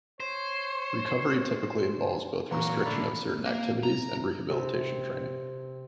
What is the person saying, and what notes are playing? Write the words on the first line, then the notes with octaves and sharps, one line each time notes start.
Recovery typically involves both restriction of certain activities and rehabilitation training.
C5 C#5
A#2 E3 F#3 F5 A#5 C#6
A#2 D3 A3 B5
A#3
A#5
C3